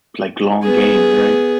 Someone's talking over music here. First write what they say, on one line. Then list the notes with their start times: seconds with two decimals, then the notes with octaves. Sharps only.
like, long games, right?
0.63 B3 G#4